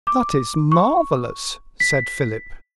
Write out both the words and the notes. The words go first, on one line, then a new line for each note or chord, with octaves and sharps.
"That is marvelous!" said Philip.
D6
C#6
B6